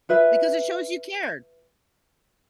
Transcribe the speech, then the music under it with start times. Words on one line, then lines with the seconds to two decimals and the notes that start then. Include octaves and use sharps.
Because it shows you cared.
0.09 F4 B4 E5